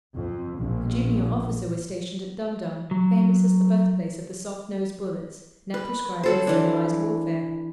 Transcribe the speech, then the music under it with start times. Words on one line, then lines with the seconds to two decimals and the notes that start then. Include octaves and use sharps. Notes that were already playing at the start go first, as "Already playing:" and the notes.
The junior officer was stationed at Dum Dum, famous as the birthplace of the soft-nosed bullets, now proscribed in civilized warfare.
0.16 F2
0.58 A#1
2.91 F#3
5.74 B4
6.23 F#3 A4 C5
6.47 E3 D4